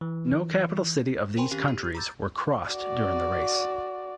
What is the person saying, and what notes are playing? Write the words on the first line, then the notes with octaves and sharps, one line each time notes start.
No capital city of these countries were crossed during the race.
E3
A#4 C5 G5 G#5 B5 C6
D#3 C4 C#4 G4 F5
G4
A#5 B5 D6 E6 G6 A6
F#4 D5